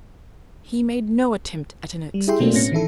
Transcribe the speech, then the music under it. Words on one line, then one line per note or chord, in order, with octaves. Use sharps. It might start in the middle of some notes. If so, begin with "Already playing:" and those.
He made no attempt at an excuse.
G3
E4 G4 G#4 E5 G5 C6
B2 F#3 A3 A#3 C4 D4
A2 B3 C#4 A#6 C#7
D#3 E3 E4 A4